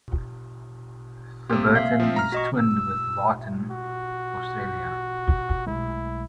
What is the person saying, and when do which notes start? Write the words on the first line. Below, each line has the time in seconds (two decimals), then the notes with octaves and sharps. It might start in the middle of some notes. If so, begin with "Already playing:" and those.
Theberton is twinned with Thebarton, Australia.
1.50 C3 A#3 G4
1.75 E5 F5
2.00 F3 C4
2.16 A#5 F6
2.32 F#4 D#5 C#6
2.58 E6
3.71 F#4
5.67 B1 G#3 A3 E4